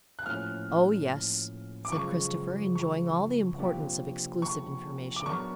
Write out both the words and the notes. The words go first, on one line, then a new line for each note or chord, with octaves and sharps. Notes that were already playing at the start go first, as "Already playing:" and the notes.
"Oh, yes," said Christopher, enjoying all the importance of exclusive information.
F#6
A2 F3 A#3 C#4 F6
D6
F#2 C#3 F3 G#3 C#6
C#6
C3 F3 A#3 D4 G4
C#6
D6
F#3 B3 D4 F#4 A#4 C#6